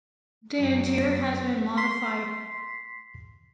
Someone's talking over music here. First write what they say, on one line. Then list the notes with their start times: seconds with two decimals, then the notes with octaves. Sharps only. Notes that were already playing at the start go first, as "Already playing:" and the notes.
The interior has been modified.
0.57 F#2
1.77 C6 B6 C7